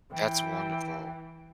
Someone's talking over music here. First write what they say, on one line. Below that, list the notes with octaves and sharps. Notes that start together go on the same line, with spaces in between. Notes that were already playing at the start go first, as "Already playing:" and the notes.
That's wonderful.
E3 G5